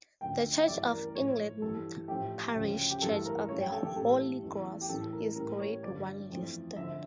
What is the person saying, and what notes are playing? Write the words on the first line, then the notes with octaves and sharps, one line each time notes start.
The Church of England parish church of the Holy Cross is Grade One listed.
D2 D3 F3 A3 G5
E5
G2 E3 A3 D5
A#4
A2 F3 A3 C#5
G2 E3 G3 A4
A2 F3 A3 G4
D2 C#3 F3 A3
G4
G2 E3 A3 A4
A#4
G2 F3 A3 C#5
G5
A4
G4
A2 E3 G3 A4
E2 E3 A3
G4
A2 E3 A3 A4
A#4
A2 G3 A#4
C#5
G2 D3 F3 D5
F2 E3 A3
F2 D3 F3 E5